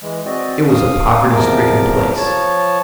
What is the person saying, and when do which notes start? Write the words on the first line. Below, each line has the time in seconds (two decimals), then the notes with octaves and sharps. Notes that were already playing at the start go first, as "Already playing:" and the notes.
It was a poverty stricken place.
0.02 E3 G#3
0.25 C4 F#4 D5 D#5
0.69 F5 D#6
1.29 E2 C3 F3 A#4 D6
2.17 F3 C#5 A5